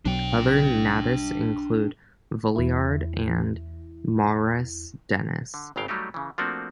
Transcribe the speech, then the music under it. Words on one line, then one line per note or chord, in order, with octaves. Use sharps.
Other Nabis include Vuillard and Maurice Denis.
B1 B2 F#3 D4 G5
E2 E4
D3
G#1 G2 C#3 F#3 F5 G5
F#3 G3 A3 D#4 G4
C#3 E3
F3 A3 A#3 C4 D4 F#4